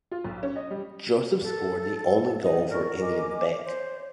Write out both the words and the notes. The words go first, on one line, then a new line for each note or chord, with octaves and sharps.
Joseph scored the only goal for Indian Bank.
F4
B1
C#4
D#5
G3
A4
D#5
A#4 D5 C#6 F6
D#5 G#5 D6
C5 C#5